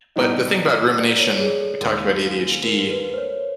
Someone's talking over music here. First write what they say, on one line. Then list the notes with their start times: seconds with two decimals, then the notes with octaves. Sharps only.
But the thing about rumination, we talked about ADHD,
0.16 A2 E3 G3 B3 D#4 D#5
0.98 D5
1.19 C#5
1.39 G#4
1.61 A4
1.81 D#2 D#3 G#3 C4
2.63 A#4
2.91 B4
3.14 C5
3.18 C#5